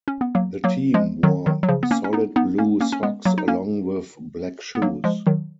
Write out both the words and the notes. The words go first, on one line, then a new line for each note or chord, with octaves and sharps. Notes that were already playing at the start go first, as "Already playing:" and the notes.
The team wore solid blue socks along with black shoes.
C#4
B3
F#3 A#3
F#3 A#3
F3 G#3
D#3 F#3
D#3 F#3
F#3
C#3 F3
B3
A#3 C#4
C#4
B3 D#4
B3 D#4
A#3 C#4
A#3 C#4
C#4
G#3 B3
F#3 A#3
D#4
A#3 C#4
B3
F#3 A#3
F3 G#3
D#3 F#3